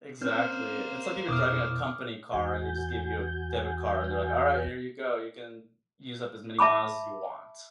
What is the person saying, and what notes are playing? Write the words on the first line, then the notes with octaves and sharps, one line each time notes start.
Exactly, it's like if you're driving a company car and they just give you a debit card and they're like, "All right, here you go, you can use up as many miles as you want."
A#3 C4 C#4 C5 F6 G6
F2 B2 E4 D6 D#6 F6
E2 F#4 G#5 G6
E5 A5 B5 D6